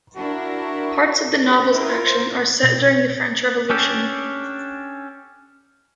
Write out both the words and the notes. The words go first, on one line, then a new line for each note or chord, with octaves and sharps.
Parts of the novel's action are set during the French Revolution.
D4 E4 F#4 A#4
C#4 G4
E4 F4 A#4
C5
B2
C#4 D4 G4 A4